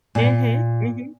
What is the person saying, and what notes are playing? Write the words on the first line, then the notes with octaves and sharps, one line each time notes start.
Mhm, mhm.
A#2